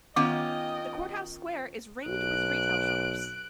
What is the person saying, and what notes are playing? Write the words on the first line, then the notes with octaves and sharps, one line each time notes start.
The Courthouse Square is ringed with retail shops.
D#3 B3 C#4 F4 D#5 G5 D6
B1 F#6 D7